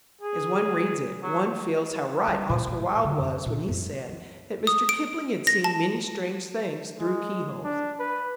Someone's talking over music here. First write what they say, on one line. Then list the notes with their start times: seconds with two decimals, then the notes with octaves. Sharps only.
As one reads it, one feels how right Oscar Wilde was when he said that Mr. Kipling had seen many strange things through keyholes.
0.21 G#4
1.23 F#3
2.27 G3
2.49 A#2
2.67 G#3
2.80 A2
3.04 D3
3.19 F#2
3.46 A#2
3.68 F#2
4.67 D#6
4.89 D7
5.47 A#6
5.64 A5
6.99 G#3
7.64 D4
7.99 B4